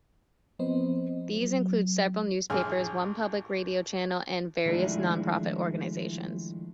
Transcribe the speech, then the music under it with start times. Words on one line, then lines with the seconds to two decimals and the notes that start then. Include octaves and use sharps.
These include several newspapers, one public radio channel and various non-profit organizations.
0.59 F3 B3 C4 C5 D#5
1.36 F#3
2.50 A1 G#4 G#5 F6
4.65 D#3 F3 G#3 A3 D4 E4